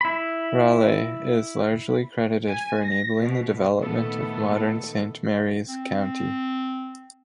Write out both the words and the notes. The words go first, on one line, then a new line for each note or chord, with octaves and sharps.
Raley is largely credited for enabling the development of modern Saint Mary's County.
E4 B5
G#5
A#6
B2
A#2 D#3 A3 B3 A4
C4